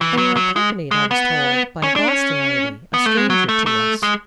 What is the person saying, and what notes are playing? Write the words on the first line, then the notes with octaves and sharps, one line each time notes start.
They were accompanied, I was told, by a Boston lady, a stranger to us.
E3
F#3
F#3
G#3
G#3
B3
C#4
D4
C#4
B3
A3
G#3
F#3
A3
A3
G#3